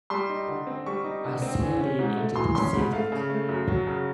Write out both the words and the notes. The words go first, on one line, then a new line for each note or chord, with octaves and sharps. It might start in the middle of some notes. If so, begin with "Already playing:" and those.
I sailed it into the Pacific ...
G3 C6
D#4
D3
C4
G3 C#6
D#4
D3
C4
E3
C#4
G#2
A3
E3 C6
C#4 C6
G#2 B5
A3 F5
C#3
A3
F#2
F#3
C#3